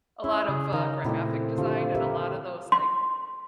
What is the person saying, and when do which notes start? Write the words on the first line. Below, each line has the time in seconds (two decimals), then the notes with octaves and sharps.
a lot of uh, graphic design and a lot of those, like,
0.24 C#4 E4 C#5
0.49 C#3 G#4
0.73 D#3 D#4 A#4 D#5
1.04 A#2 A3 C4 E4 G4 A4 D#5
1.58 D3 F3 G4
1.95 G4 A#4 E5
2.72 C6